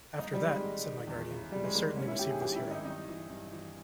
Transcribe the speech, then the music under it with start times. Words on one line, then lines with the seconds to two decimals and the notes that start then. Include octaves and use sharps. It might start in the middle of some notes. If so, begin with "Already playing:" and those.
"After that," said my guardian, "we will certainly receive this hero."
0.19 G#2 D#4
0.33 G3
0.41 D#3
0.48 G#3
0.63 G#2
0.85 D#3
1.07 E2
1.29 C#3 E3
1.52 E2 G3
1.64 G#3
1.75 C#3 E3 A#3
1.96 G#2 C#4
2.08 E4
2.18 D#3 G4
2.30 G#4
2.41 G#2 G4
2.56 E4
2.63 D#3
2.71 D#4
2.85 G2 D#4
3.08 E3
3.30 G2
3.53 E3